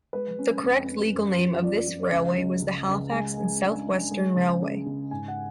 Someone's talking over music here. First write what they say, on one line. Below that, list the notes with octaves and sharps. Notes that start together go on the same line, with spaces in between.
The correct legal name of this railway was the Halifax and South Western Railway.
G#3 B4
C#4
F2
C#4
F#2
F3
F3 D5
F3
C#2
C#2
C#3
C#2
G#3 G#5
G#3
D4
D4
G#3
C#3
C#3
C#3
G#2 G#5
F#5